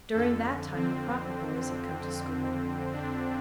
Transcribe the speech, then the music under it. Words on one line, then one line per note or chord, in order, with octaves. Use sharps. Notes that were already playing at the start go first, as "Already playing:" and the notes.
During that time the Cropper boys had come to school.
F2 D3 A4
C4
D4